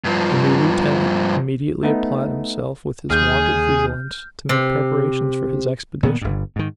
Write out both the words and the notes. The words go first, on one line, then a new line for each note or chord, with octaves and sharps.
The new lieutenant immediately applied himself with his wonted vigilance to make preparations for his expedition.
G2 F3
A3 B3 D#4
D#2 G#4 F6 G6
C3
A#2 D#3 A#3 B3
G1 G2
G#2 D#3